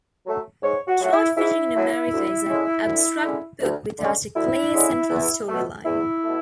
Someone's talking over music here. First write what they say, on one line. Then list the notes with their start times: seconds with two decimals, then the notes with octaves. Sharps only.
"Trout Fishing In America" is an abstract book without a clear central storyline.
0.25 F#3 A3
0.62 G#2 C#5
0.87 F#4
0.99 F#3 A3 F#4
1.12 E4
1.37 G#2 E4
1.75 F#3 A3
2.12 D2
2.48 D3 G#3 C#4
2.87 D2
3.23 D3 G#3 C#4
3.61 D2
3.98 D3 G#3 C#4
4.35 D2 E4
4.73 D3 G#3 C#4
5.10 E2
5.48 B2 A3
5.85 E2 E4
6.23 B2 A3